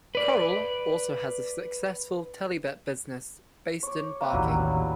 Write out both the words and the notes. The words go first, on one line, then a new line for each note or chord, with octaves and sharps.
Coral also has a successful Telebet business, based in Barking.
B4 D5
C#5 D6
A#3 B4
A1 D#2 F#3 G3 E4